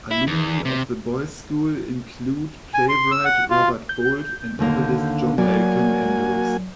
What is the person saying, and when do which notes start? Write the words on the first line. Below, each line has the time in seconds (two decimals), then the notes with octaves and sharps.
Alumni of the boys' school include playwright Robert Bolt and novelist John Malcolm Andrews.
0.11 E4
0.27 E2
0.65 C3
2.74 G#5
2.89 C6
3.11 E6
3.25 F#5
3.50 F4
3.89 G6
4.59 D#2 D3 A#3
5.38 F#3 A#3 F#4 C#5 D5 G#5